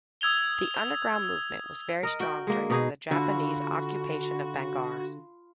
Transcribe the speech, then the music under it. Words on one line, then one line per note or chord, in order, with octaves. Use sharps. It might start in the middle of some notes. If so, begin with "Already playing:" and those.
The Underground Movement was very strong during the Japanese occupation of Bangar.
D#6 E6 G#6 F7 G7
A#4 D#5
F#4 G5
G#3 A#3
B2 D#4 G#4
D3 F4 F#4 B5